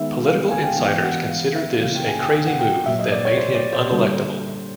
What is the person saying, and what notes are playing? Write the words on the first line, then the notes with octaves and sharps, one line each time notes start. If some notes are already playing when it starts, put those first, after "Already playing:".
Political insiders considered this a crazy move that made him unelectable.
Already playing: D#3 G#3 B3 E5
F5
G#5
G5
E3 G#3 B3 G5
F#5
F5
E5
C#3 F3 A#3 F5
G5
G#5
G5
G5
F#5
G5
A#2 F#3 A#3 E5
D#5
D5
C#5
C5
D5
C5
D3 G3 A#3